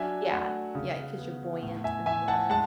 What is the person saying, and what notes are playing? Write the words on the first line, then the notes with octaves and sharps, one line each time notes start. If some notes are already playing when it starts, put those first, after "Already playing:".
Yeah, yeah, 'cause you're buoyant in the water.
Already playing: F#3 D4 E5 G#5
A3 F#5
C#3
B3
A2
E5 G#5
A2 E5 G#5
F#5 A5
G#3 F#5 A5